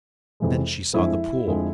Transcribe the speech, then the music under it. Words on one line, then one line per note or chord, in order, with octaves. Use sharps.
Then she saw the pool.
F2 C3 E3 G#3
F2 D3 F3 G#3 E4
F2 D3 F3 G#3